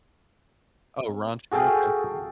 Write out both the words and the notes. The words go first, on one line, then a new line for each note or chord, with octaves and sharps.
Oh, raunchy, okay.
F#4 G#4 A4 F5 G5